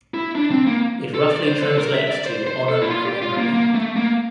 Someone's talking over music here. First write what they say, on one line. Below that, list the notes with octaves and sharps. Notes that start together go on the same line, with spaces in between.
It roughly translates to honor my memory.
E4
D4
C4
A#3
A4
D5
C5
A4
A#4
E5
D5
C5
C5
A4
E4
F4
G4
F4
A#3
A#3
A3
A#3